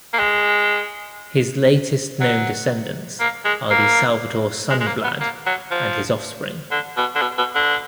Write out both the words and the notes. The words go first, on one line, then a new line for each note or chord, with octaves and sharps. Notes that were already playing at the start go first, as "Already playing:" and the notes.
His latest known descendants are the Salvador Sundblad and his offspring.
A#3
G#3
F#3
A#3
G#3
A#3
G#3
G#3
A#3
B3
A#3
F#3
F3
D3
B2
D3
B2
B2
D3